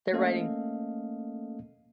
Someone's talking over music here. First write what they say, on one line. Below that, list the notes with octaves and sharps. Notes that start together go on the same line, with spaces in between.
Their writing.
A3 A#3 C#4 A4 D#5 F5